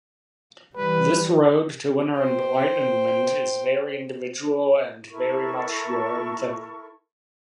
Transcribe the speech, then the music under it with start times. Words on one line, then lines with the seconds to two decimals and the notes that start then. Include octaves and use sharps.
This road to inner enlightenment is very individual and very much your own thing.
0.76 E3 G3 B4
2.18 C5 G5
5.10 E4 A4 A#4 C#6